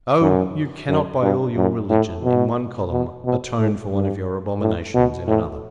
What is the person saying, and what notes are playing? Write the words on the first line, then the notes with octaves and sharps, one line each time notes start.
Oh! you cannot by all your religion, in one column, atone for one of your abominations in another!
F#2
F#2
G2
F#2
A2
B2
B2
B2
A2
G2
A2
B2
A2